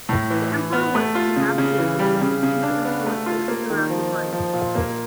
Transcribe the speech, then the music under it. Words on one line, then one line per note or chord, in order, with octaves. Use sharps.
The Emperor was to navigate between the two influences throughout his reign.
A2
E3
E3
B3
A3
F4
C#3
C#3
E3
G3
C#3
C#3
D4
B3
A3
F4
A#3
D#3
F3
D#4
F3
A#2
A#3